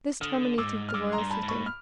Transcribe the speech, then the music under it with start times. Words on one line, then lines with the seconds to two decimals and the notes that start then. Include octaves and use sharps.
This terminated the royal sitting.
0.21 D3 D#6 F6
0.58 G#2 D6 E6
0.89 F6
0.94 G2 D6 E6
1.12 A#5 C6
1.18 G2
1.30 A5 B5
1.43 G#2
1.48 B5 C#6
1.66 F6